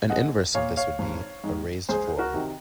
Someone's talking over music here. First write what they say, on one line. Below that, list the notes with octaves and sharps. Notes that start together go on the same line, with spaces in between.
An inverse of this would be a raised floor.
A#1 D#5 F#5
A#2 C#5 F5
C#5 F5
G#1
G#2 D#3
C#2 G#4 C5
F#4 A#4
C3 D#3